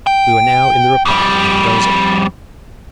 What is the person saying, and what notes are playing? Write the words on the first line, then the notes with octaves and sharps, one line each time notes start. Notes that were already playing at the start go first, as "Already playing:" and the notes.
We were now in the republic of Mendoza.
G5
F2 G3